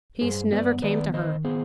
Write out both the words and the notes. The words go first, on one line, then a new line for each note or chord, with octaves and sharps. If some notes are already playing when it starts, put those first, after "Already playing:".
Peace never came to her.
G2 G#4 C5
B3 B4 D5
D#3 B4 D5
D#3 C5 D#5
B3 G#4 C5